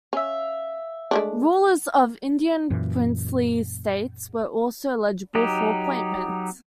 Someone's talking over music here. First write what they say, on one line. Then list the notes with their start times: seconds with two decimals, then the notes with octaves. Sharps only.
Rulers of Indian Princely States were also eligible for appointment.
0.13 C#4 E5 F5
1.11 G#3 A3 D4
2.70 F#2 A#2 E3
5.35 F#3 D#4 G4